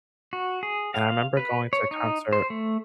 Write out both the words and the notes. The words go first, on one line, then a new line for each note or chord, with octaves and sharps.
and I remember going to a concert
F#4
G#4
F5
B4
C#5
D#4
C5
A3